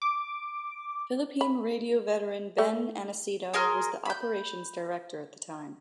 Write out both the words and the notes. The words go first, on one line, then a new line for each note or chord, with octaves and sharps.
Philippine radio veteran Ben Aniceto was the operations director at the time.
D6
B5
A3
G#4 A#4 C6 F6
B5 G6